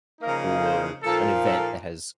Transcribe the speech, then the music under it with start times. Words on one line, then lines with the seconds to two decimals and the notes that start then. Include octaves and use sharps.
or an event that has
0.22 C#3 F3 A#3 D#4 A#4
0.63 C5
1.03 A#2 F3 A#3 D#4 A4
1.45 A4